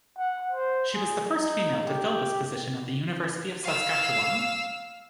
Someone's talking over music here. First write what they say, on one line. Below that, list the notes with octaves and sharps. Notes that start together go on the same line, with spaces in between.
She was the first female to fill this position at the University of Saskatchewan.
F#5
C5
G#4
D#4
G4
F5 E6